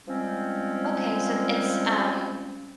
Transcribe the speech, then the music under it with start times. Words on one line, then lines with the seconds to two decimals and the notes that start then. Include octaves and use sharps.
Okay, so it's, um
0.07 F3 G3 G#3 C4 C#4